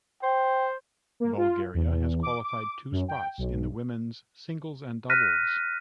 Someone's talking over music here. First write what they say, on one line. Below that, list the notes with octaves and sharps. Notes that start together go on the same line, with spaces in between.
Bulgaria has qualified two spots in the women's singles and doubles.
C5 G5
A#3
F4
E2
D6
D6
F#2
G5
B1
F6 F#6 A#6 B6 D#7